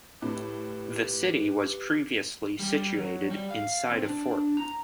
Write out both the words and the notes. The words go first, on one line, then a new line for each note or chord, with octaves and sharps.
The city was previously situated inside a fort.
A2 G4 B4
G3
F#3
G3
F5
C3
D4
A#5